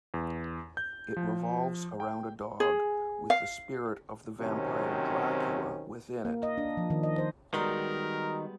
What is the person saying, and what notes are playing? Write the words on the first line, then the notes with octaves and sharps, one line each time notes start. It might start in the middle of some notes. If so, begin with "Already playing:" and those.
It revolves around a dog with the spirit of the vampire Dracula within it.
E2
G6
F3
G5
G#4
F5
C3 D#3 F#3 C4 C#4
A#3
D#5
D4
F3
D#3
D#5
C5
D#3 G3 G#3 B3 F#4 A#4 A#5 D#6